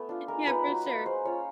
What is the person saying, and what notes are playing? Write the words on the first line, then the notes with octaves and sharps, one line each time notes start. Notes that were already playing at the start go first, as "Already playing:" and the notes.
yeah, for sure.
Already playing: A3 B3
D4 F4
G#3 A#4
B3 D#4 B4
F#3
A#3 D#4
G#3 C5
C#4 F4 C#5